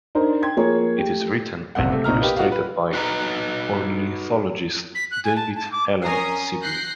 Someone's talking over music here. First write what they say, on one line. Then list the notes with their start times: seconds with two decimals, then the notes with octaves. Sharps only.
It is written and illustrated by ornithologist David Allen Sibley.
0.15 D4 D#4 A#4 C5
0.42 G5 C6 G#6
0.57 F3 A#3 G#4 A#4 C#5
0.98 A3 G4
1.75 F#1 C3 G3 F#5
1.90 C3 A3
2.04 A#1 C3 D#4 A#5 F6
2.20 G4 A#4 B4 D#5 F5
2.37 F4 F#4 D#5 F5
2.52 B4
2.93 D#4 F#4 B4 C5 D#5 A#5
4.95 B6
5.11 F#6
5.24 G#5
5.36 A5
5.56 A5
5.72 D6
6.03 C#4 A#4 G#5 A#5 D#6 C7
6.60 F#6 G6 A#6 C7